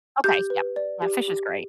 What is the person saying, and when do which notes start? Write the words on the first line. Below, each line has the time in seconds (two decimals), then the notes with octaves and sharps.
Okay, yep. Yeah, fish is great.
0.24 G4 G6
0.50 B4
0.76 D5
1.02 G4
1.28 G4